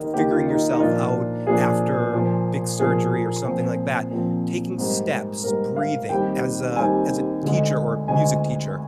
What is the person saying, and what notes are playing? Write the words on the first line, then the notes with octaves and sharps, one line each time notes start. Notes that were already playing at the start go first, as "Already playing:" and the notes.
figuring yourself out after big surgery or something like that, taking steps, breathing as, uh, as a teacher or music teacher,
Already playing: D#2 D#3 A#3 D#5
D#2 D#3 A#3 G4
F4
D#4
D#4
A#2 F3 A#3 D4 F4
A#2 F3 A#3 D4 G#4
A#2 F3 A#3
A#2 F3 A#3 G#4
A#2 F3 C4
A#2 F3 C4
G#2 G3 A#3
G#2 G3 A#3 A#4
F5
D#2 D#3 G3 C4 G5
D#2 D#3 G3 C4 G#5
D2 D3 G#3
D2 D3 G#3 G#5